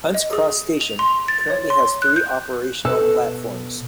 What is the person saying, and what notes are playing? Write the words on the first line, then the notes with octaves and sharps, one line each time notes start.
Hunts Cross station currently has three operational platforms.
D#5
G#4
F7
C6
A6
C#5
C6
F#6
G6
B2 A4 B4